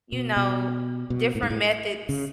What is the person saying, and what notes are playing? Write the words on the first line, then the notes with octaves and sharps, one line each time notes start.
you know, different methods
B2
B2
B2
A2
G#2
A2
C#3